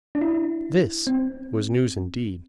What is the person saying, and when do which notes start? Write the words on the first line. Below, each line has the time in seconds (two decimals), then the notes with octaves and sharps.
This was news indeed.
0.15 D4
0.21 E4
1.07 C4